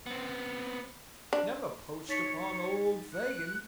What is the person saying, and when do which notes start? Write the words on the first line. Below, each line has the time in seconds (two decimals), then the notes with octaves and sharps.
Never poached upon old Fagin!
0.06 B3 C4
1.33 D4
2.09 D#4 C#5 A6 B6
3.13 F#6